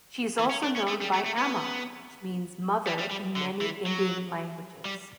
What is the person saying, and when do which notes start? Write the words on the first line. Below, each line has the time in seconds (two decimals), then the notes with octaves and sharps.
She is also known by Amma, which means 'Mother' in many Indian languages.
0.39 E3
0.51 C#4
0.63 D4
0.76 C#4
0.88 A3
1.01 G3
1.13 A3
1.26 A3
1.38 B3
2.87 G3
2.99 G3
3.11 G3
3.36 D3
3.61 E3
3.86 F#3
4.85 G3